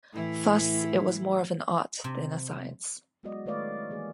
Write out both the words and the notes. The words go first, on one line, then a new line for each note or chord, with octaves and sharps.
Thus, it was more of an art than a science.
A2 E3 E4
C3
F#3 G#3 B3 F#4 D5 D#5
D#3 A3 B4 C#5 D5 F5
E3 A#3 G#4